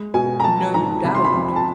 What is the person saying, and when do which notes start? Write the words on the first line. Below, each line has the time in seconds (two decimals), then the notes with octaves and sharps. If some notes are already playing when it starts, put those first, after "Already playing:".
"No doubt."
Already playing: G#3
0.14 B2 G#5
0.40 A#5
0.44 F3 A5
0.74 G#2 A#5
1.04 C3 B5
1.14 C6
1.24 B5
1.34 F2
1.56 A5